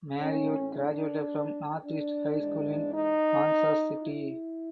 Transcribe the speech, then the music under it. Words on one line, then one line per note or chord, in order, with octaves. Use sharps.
Marriott graduated from Northeast High School in Kansas City.
A2 E3 A3 C4 C#4
D4
D4
G#2 E3 G#3
D#4
E4